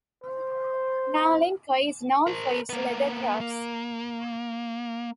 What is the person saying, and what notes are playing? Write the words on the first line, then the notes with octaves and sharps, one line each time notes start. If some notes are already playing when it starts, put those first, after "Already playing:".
Naolinco is known for its leather-crafts.
C5
A#4 C5
A#3 B3
A#3